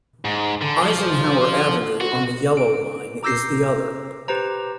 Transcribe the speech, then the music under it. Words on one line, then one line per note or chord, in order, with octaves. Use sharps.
Eisenhower Avenue on the Yellow Line is the other.
G#2
D3
F3
F#4
D7
A#5 D6 E6 G6 A#6 C7
G4 B4 C5 A#5